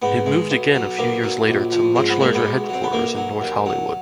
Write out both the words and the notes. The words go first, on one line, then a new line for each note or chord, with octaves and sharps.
It moved again a few years later to much larger headquarters in North Hollywood.
G#2 B3
G#3
B1
F#3
B1 A#3
F#3
A#1
F3
G#2 C4
B3
G#3 A#3
B3
B1
F#3 C4
B3
B1 A#3
F#3
D#2
F#3